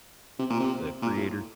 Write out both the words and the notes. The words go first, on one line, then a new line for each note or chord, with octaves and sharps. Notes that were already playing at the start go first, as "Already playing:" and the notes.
the creator?
C3
A#2
C3
A#2
A2